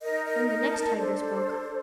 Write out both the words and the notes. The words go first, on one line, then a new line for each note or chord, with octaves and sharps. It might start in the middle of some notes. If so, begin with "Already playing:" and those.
Then the next tiger spoke.
D#4 A#4 D#5
D#5
D#5
A5
D4 A4 C5